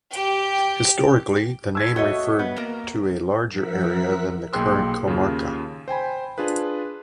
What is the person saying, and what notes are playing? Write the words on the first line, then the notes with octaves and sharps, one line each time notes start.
Historically, the name referred to a larger area than the current comarca.
G4 G5
E6 G#6 B6
A3 F#4 C#5 D#5 E5
B3
A#3 A#4
F3 A#4 E5 F#5 B6
B1 A#3 G#4 G5 C6 E6
D#2 C#3 F4
C5 G5 G#5 B5
D4 F4 G#4 B4